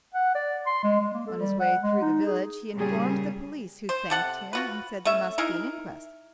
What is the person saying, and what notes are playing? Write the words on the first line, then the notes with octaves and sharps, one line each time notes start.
On his way through the village he informed the police, who thanked him, and said there must be an inquest.
F#5
D5
C6
G#3
G#3
A#3
A4
G3
F#5
G#3
D#4
G#4
A#2 C#3 G3 G#4
C5
C3 A4 F#5
F4 F#4 B4
A3 C#4 E5
D#4 E4 G#4 A#4